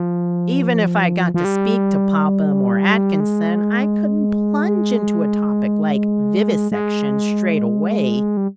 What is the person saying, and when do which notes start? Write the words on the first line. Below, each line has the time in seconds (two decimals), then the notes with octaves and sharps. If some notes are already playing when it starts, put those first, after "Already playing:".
Even if I got to speak to Popham or Atkinson I couldn't plunge into a topic like vivisection straight away.
Already playing: F3
1.34 F3
1.45 G3
3.20 G#3
6.72 G#3
8.37 G3